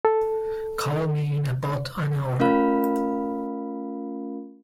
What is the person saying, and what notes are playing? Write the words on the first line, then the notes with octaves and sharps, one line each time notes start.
Call me in about an hour.
A4
A3 C#4 F4 A#4 F5 B5